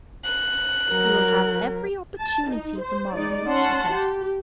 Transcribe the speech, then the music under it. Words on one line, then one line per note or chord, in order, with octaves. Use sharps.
"You will have every opportunity to-morrow," she said.
F#6
F#3 A#4
A5
D#4
C5
G#3 D#4 D5
C#4 F#5 A5 C6
G4